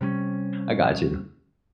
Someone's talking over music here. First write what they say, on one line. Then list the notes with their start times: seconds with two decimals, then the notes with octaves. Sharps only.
I gotchu."
0.01 C3 G3 B3 C#4